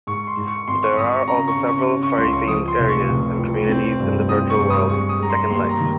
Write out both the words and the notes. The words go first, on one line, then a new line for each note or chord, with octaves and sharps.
There are also several furry-themed areas and communities in the virtual world "Second Life".
G#2 C#6
C6
G#2
C#6
G#1 C6
C#6
G#1 D#6
C#6
C#3 A#5
C#6
C#3
C#6
C#3
C#6
C#2 C6
C#6
F3 D#6
C6
F1
C#6
F1
F2
C4
G2
C4 D#6
C#6
G2
D#6
G#3 C#6
D#6
G#3 A#5
C6
D#2 C6
A#5
D#3